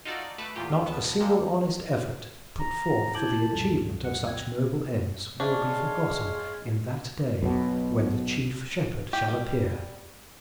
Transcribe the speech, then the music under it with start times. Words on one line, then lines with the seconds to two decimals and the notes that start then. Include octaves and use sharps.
Not a single honest effort put forth for the achievement of such noble ends will be forgotten in that day "when the Chief Shepherd shall appear."
0.05 D#4 F4 F#4 A4 D5
0.38 A3 B4 A5 D6
0.55 E2 A#2 F4 G4
0.85 C#2 B3 A5
1.20 G#3 A#3 G4 A4
2.59 A#5
3.15 E4 A5 D6 G6 G#6 F#7
3.52 C#2 F#2 A4
4.04 F#5
4.27 C4 G#6
5.40 G#3 D4 C5 C#5 E5 F5 C6 C#6
7.42 B1 B2
9.13 G4
9.28 G3